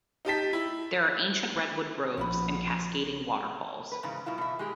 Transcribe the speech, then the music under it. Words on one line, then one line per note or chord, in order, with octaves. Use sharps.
There are ancient redwood groves and cascading waterfalls.
D#4 G4 A5 B6
E4
A#1 F3 C#4 F#4 B5
B4
G#2 C#3 E3
B2 G3 E4 F4
B2 E5
G#3 G4 G#4